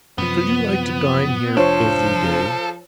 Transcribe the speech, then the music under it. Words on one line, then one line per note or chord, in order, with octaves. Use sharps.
Should you like to dine here every day?'
F#2 C3 F3 B3
F1 F3 D4 F4 A4 C5 C#5